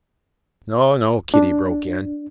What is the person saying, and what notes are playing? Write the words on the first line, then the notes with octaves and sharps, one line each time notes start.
"No, no," Kitty broke in.
D4